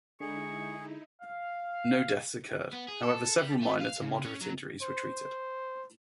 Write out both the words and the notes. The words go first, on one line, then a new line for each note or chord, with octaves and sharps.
No deaths occurred, however several minor to moderate injuries were treated.
D3 G#3 D#4 E4 G#4 C#6
F5
B3
G#4
A4
G3
A3
F5
C#3
C#4
F#3
C5